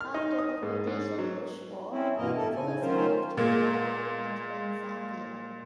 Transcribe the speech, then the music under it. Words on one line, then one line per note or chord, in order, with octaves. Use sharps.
After the Rhodesian Bush War, the Fullers move to Malawi and then Zambia.
F6
D#4
D#6
G#2
G#2
F#3
C4 C#4 E4
G2 B2 E3 A#3 A#4 D#5
A2 E4 A4 A5
C#3 G#5
D#3 F#3 C#4 F4 A#4 C5
A#2 G#3 A#3